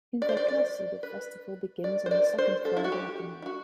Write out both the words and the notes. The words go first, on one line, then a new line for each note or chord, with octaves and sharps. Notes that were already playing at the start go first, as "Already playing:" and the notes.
In Vaikasi, the festival begins on the second Friday of the month.
D5
C5
D5
D5
B4
D5
C5
D5
C5
A4
E4
F#4
G4
E4
F#4